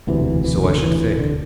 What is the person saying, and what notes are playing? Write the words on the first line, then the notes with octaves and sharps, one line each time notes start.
"So I should think."
E1 D2 C3 E3
E3
E3
D3
E3
E3
D3